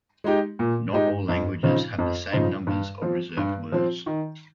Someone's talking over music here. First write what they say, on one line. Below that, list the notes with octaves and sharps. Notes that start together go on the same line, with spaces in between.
Not all languages have the same numbers of reserved words.
G#3 D#4 G4
A#2
G#3 D#4 G4
F2
C#3 F3 C4 D#4
F2
C#3 F3 C4 D#4
G2
F3 C4
G2
F3 C4
D#3